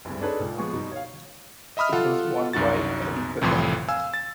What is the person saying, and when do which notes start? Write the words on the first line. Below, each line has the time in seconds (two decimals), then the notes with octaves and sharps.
It was won by Eddie Pagan.
0.05 F#1 D2 G2
0.21 D4 D#4 G#4 A4 B4 C#5
0.40 C#2 A#2
0.58 F3 G#3 B3 G#5 C#6
0.73 G2 B2 D#4
0.92 C#5 F5
1.77 D#5 E5 B5 D#6 F6
1.92 F4 A4 F#5
2.53 C2 F#2 D#4 F#4 A6
3.42 C2 F2 A2 E3 C6
3.89 F5 G#5 E6
4.14 A6